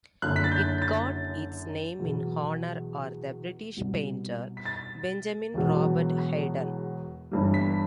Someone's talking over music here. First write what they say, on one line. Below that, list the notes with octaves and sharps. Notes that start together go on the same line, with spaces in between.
It got its name in honor or the British painter, Benjamin Robert Haydon.
F#1 F#2 D3 F#6
B6
A6
G6
A6
E2 B2 F#3
C2 B2 G3
B6
A6
E1 E2 B2 F#3
G1 G2 E3 G3
B6